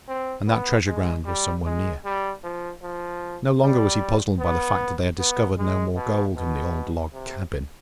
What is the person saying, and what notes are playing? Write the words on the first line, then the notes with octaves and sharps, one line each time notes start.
And that treasure ground was somewhere near. No longer was he puzzled by the fact that they had discovered no more gold in the old log cabin.
C4
B3
G#3
G3
G#3
G3
F3
F3
G3
B3
B3
G#3
B2
B2
C3